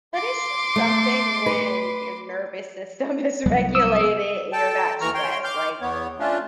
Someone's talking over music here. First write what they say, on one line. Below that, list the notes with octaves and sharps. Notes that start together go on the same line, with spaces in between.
but it's just something when your nervous system is regulated and you're not stressed, like,
C6 D6
A3
B4
C2 F#3 B3
D#6 E6
A4 G5 A5
D#2 E3 A#5 C#6 F6
C#5 G5 C6
C6 D6 F6 G6
E2 B3 C#5
A3 C#4 D4 F4